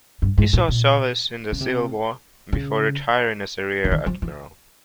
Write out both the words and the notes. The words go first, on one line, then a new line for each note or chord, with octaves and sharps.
He saw service in the Civil War before retiring as a rear admiral.
G2
G#2
A2
A#2
C#3
C3
C#3
D3
D#3
F3
E3